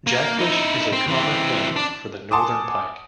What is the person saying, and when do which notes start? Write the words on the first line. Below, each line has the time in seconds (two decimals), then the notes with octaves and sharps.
"Jackfish" is a common name for the Northern Pike.
0.07 A#3
0.38 D#4 E4
0.92 C4
1.08 E3 C4
1.76 D4
2.31 F#5 G#5 A5 C6 D6 D#6